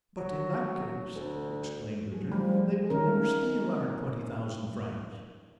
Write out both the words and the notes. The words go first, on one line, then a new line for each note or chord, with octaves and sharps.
"But, in that case," exclaimed Richard, "they will never steal our twenty-thousand francs!"
F#3
D2
F#3 A3 G#4
F3 G3
D#3 C#4 A#4